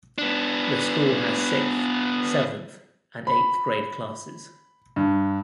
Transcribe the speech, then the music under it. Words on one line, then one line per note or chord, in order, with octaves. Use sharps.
The school has sixth, seventh, and eighth grade classes.
B3 D4
B5
G2